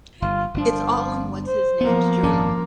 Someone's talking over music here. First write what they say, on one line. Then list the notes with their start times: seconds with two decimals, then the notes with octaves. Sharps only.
It's all in what's-his-name's journal.
0.22 G1 F4
0.54 G1 B2 F3 D4
1.47 C5
1.81 F3 A#3 B3
2.23 G#1 F#2 C#4 D4